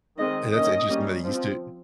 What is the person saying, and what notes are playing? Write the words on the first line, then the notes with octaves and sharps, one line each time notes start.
And that's interesting that they used to
D#3 G#3 C4 D#5
D#3 A#3 C#4 D#5
G3 A#3 C#4
F3 C4